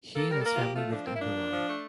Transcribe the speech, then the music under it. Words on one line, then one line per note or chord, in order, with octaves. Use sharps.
He and his family lived in Milan.
A#3 A4
G3 A#4
A4
A#3 A#4
F4
F3 G4
A3 F4
F3 D4
A#3 C4
E4
F3 D4
A#3
F3
A3